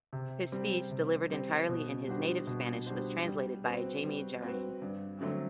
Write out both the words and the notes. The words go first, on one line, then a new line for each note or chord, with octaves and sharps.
His speech, delivered entirely in his native Spanish, was translated by Jaime Jarrin.
C3
G3 C4
C3
G3 C4
B2
G3 D4 F#4 C5
B2
G3 D4 F#4 C5
G3
C4 F#4 B4
G3
C4 F#4 B4
G2
D3 F#3 A3 C4